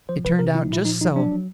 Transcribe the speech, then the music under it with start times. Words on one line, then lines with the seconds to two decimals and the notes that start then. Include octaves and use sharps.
It turned out just so.
0.09 F3 C5
0.24 C3 B4
0.39 C3 A#4
0.55 F3 E4
0.64 D#4
0.71 A#2 E4
0.85 F3 D#4
1.01 F3 D#4
1.16 F#3 D4
1.31 F#3